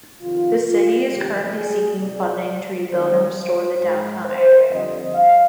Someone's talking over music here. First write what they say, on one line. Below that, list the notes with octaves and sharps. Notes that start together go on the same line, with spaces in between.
The city is currently seeking funding to rebuild and restore the downtown area.
F2 C3 D#3 F4
F4
F2 C3 D#3 G3 G4
G#4
C2 C3 G3 D5
F2 D#3 G#3 C5
C5
G#2 F3 G#3
C5
F2 D3 G3 D#5
F5